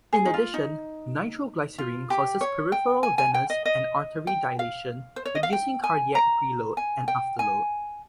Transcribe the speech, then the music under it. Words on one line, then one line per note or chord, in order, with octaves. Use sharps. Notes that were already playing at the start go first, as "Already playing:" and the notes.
In addition, nitroglycerin causes peripheral venous and artery dilation reducing cardiac preload and afterload.
G#4
D#4
F4
D#4
F4
G4
C#5
G5
G#5
G#5
G5
D#5
D#5
G5
F5
C5
C#5
D#5
F5
G5
G#5
A#5
G#5
G5
G#5